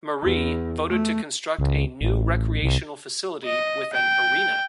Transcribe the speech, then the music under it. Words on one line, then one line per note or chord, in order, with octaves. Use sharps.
Marie voted to construct a new recreational facility with an arena.
E2
A3
C#2
A1
C2
D#5
G5